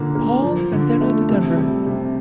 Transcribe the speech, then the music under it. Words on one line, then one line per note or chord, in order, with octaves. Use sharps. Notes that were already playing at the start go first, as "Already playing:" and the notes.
Paul and then on to Denver.
Already playing: A#2 D3 A#3
A#3
F3
D3
A3
C3
G3
C3